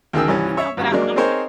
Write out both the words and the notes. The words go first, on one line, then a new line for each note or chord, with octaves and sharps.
You know, but I I'm
D2 D#3 G#4 G5 E6
C2 G2 E3 C#4
C#5 E5
G#1 G2
F#3 G#3 A#3 D4
C4 D#4 G#4 A#4 C5 C#5